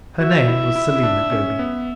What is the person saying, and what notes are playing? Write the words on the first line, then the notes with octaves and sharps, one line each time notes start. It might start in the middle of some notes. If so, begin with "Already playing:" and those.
Her name was Selina Goby.
F#4 E5
E4
E4
E4
D4
C#4
B3